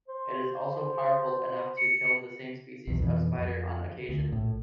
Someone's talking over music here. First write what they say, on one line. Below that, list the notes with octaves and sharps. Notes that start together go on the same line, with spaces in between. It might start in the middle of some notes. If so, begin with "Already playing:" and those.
It is also powerful enough to kill the same species of spider on occasion.
C5
C#7
B1 E2
F2 B2 D#3 E3
F2
D2
A#1 A2